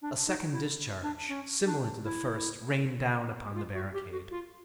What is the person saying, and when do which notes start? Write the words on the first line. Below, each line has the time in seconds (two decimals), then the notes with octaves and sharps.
A second discharge, similar to the first, rained down upon the barricade.
0.02 D4
0.27 D#4
0.52 E4
1.03 D4
1.28 C#4
1.66 D4
2.04 E4
3.55 F4
3.74 F#4
3.93 G4
4.12 F#4
4.31 F4